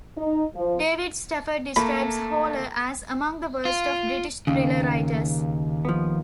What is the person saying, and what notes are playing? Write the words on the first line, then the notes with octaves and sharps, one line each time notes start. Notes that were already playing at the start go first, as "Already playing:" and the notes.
David Stafford describes Horler as "among the worst" of British thriller writers.
D#4
F3
A3 A#3 A#5 B5
F4
D#2 C#3
F3 B3